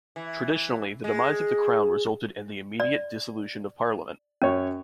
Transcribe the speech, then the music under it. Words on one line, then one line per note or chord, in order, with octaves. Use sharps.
Traditionally, the demise of the Crown resulted in the immediate dissolution of Parliament.
E3
G#3
D5
F#2 C#4 C#5